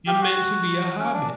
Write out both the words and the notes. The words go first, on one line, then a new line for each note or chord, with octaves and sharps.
I'm meant to be a hobbit."
G4
F#4
C#4
D4